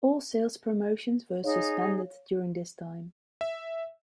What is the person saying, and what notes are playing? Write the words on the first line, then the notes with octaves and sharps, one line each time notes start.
All sales promotions were suspended during this time.
D#4 G#4 C#5 F5
E5